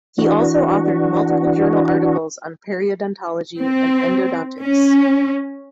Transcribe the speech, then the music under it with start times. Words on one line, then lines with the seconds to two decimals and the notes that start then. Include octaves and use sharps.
He also authored multiple journal articles on periodontology and endodontics.
0.18 E3 D4 F#4
3.60 C4
4.59 C#4